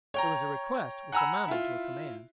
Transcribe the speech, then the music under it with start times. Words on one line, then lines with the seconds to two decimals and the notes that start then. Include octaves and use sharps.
It was a request which amounted to a command.
0.14 C#5 G5 A#5
1.12 F#5 G#5 A#5 B5 E6
1.48 E4 F4